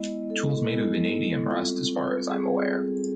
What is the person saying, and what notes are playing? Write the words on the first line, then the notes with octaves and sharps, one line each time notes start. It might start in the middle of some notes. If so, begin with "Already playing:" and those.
Tools made of vanadium rust, as far as I am aware.
Already playing: G#3 B3 E4 D#5
A4
G#3 B3 E4
G3 C4 F4
G3 C4 F4 G#4